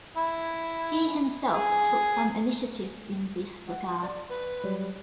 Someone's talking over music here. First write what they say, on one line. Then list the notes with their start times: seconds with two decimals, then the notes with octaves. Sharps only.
He himself took some initiative in this regard.
0.17 E4
1.53 G#4
3.68 F#5
4.02 D5
4.30 B4
4.64 F#3 G3